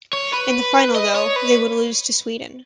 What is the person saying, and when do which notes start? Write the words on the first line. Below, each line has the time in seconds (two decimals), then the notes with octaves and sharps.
In the final though, they would lose to Sweden.
0.13 C#5
0.33 B4
0.95 D#5
1.15 C#5
1.36 B4